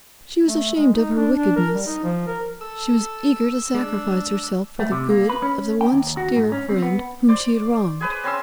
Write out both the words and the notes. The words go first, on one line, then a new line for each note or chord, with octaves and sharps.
She was ashamed of her wickedness; she was eager to sacrifice herself, for the good of the once-dear friend whom she had wronged.
A3
G#3
D#4
D4
D4
A#4
G3
D#4
F3
A#4
A4 E6
G#3 D4
A3
C3
A#3
B4
C#4
G5
D#2
F#4
G#2
C#4
C4
B3
C5 D5
G#4 B4 C5
C4 C#4 C6 E6